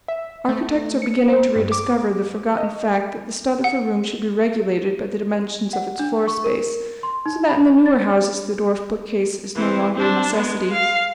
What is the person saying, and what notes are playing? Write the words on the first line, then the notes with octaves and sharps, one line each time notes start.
Architects are beginning to rediscover the forgotten fact that the stud of a room should be regulated by the dimensions of its floor-space; so that in the newer houses the dwarf bookcase is no longer a necessity.
E5
A3
C#7
C5
G2
D6
D#5
F#5
F#5
D4
C#6
A#4
C6
D#4
B5
A6
E3 C4
C4 D4
G#3 B3
F5